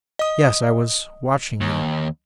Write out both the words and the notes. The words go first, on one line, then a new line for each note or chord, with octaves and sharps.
"Yes--I was watching you."
D#5 D#6
D#2